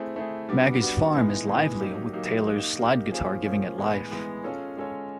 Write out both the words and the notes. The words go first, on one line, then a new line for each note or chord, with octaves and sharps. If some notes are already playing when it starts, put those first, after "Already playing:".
Maggie's Farm is lively with Taylors slide guitar giving it life.
Already playing: A3 C4 E4 G#4
A3 C4 E4 G#4
G3 B3 D4 F#4
G3 B3 D4 F#4
A2 E3 G#3 B3 D#4
A2 E3 G#3 B3 D#4
F#3 A#3 D#4 G4
F#3 A#3 D#4 G4
A#3 D#4 G4
A#3 D#4 G4
F3 A#3 C#4 F4 G#4
F3 A#3 C#4 F4 G#4
A2 E3 G#3 B3
A2 E3 G#3 B3
G#3 C#4 F4 A4 C#5
G#3 C#4 F4 A4 C#5